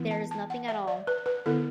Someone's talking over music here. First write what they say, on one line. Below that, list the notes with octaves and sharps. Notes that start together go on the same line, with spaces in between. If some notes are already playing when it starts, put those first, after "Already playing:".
There is nothing at all.
Already playing: E3 B3 E4
A5
A5
F#5
E5
D5
B4
B4
D3 B3 E4 A4